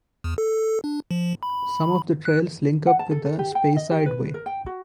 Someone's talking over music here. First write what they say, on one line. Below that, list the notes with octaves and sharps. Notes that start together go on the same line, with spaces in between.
Some of the trails link up with the Speyside way.
E2
A4
D4
F3
B5
F#6
F#5
A5
A4
A4
G4
G5
D#5
G4
B4
A#4
G5
F#4